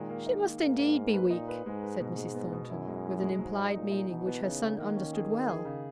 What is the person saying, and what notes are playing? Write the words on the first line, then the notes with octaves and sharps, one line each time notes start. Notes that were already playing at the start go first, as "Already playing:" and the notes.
'She must indeed be weak,' said Mrs. Thornton, with an implied meaning which her son understood well.
Already playing: A#2 D#3 G#3
A#3
D#4
A#3
G#2 A#3
A#3
A#3
B4
A#2 D#4
B4
G#2 G#3
B4
G#2 B2
G#3
B3
B2
F#2 E4
G#3
E4
G#3
G#2 F#3
D#4
A#2 D#4
D#4
B2 E3
B3
C#3 D#4
B3
D#3 A#3
C#4
G#4
G#4
G#4
C#3